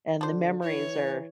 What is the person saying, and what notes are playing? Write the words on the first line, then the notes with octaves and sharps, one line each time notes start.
and the memories are
D3 D4 F4 C5
E3 E4 C#5
G#5